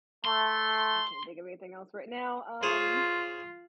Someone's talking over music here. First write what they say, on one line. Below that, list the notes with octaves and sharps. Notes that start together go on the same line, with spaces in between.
I can't think of anything else right now. Um,
A3 C6
F4 G#4 C5 C#5